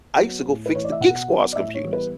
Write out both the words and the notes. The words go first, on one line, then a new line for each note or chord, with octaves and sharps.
I used to go fix the Geek Squad's computers.
F#3 B3
A2
B4
E3 A3 C#5
D5
E5
B2 F#5
F#3 B3
D5
A2 E5
C#5
E3 G3 B3
B4